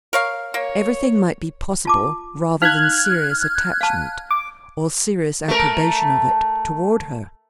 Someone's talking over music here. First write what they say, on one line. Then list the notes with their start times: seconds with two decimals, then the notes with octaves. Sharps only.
Everything might be possible rather than serious attachment, or serious approbation of it toward her.
0.13 A#4 C#5 F5
0.54 A#3 C#5
1.85 F4 A5 D6
2.62 D#4 F5 F6 F#6 G#6
3.81 F5 A5
4.31 D6
5.48 A3 A#4